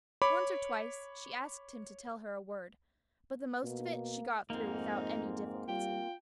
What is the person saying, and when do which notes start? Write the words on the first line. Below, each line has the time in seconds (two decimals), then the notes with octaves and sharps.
Once or twice she asked him to tell her a word, but the most of it she got through without any difficulty.
0.22 C#5 B5 D6
3.63 B2 A#3
4.50 F2 G#2 A#3 C4 D#4
5.68 G3 F4 G5